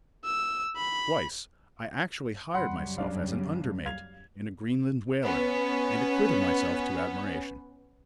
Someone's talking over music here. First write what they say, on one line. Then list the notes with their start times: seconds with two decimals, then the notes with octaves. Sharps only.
Twice I actually hired myself as an under-mate in a Greenland whaler, and acquitted myself to admiration.
0.25 E6
0.77 B5
2.54 F#2 C#3 G3 F#5 B5 C6
2.98 G2 D4 F5
3.86 F5 G#6 F7
5.24 B3 C#4